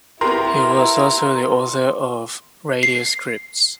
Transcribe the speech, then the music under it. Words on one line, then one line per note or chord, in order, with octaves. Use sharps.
He was also the author of radio scripts.
B3 E4 G4 A#4 A#5 C6
C7